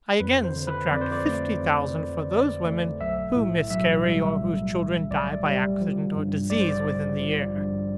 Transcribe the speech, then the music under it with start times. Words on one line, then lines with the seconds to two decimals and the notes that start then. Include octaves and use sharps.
I again subtract fifty thousand, for those women who miscarry, or whose children die by accident or disease within the year.
0.20 F2 B4
0.44 C5
0.56 D3
0.67 B4
0.91 F2 D5
1.01 C5
1.12 D5
1.26 A3
1.61 F2
1.96 D3
2.30 F2 D5
2.66 A3
3.01 B1 E5
3.35 A2
3.70 B1 E5
4.05 G3
4.41 B1
4.76 A2
5.11 B1 D5
5.45 G3
5.81 F3
6.15 G2
6.50 A1 D5
6.60 C5
6.69 D5
6.85 D3
7.20 F3
7.55 G2